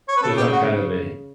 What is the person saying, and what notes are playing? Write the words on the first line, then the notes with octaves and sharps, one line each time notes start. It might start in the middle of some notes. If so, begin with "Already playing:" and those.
'cause I'm kind of a hi
C#5
B4
C#3 A4
G4
F#4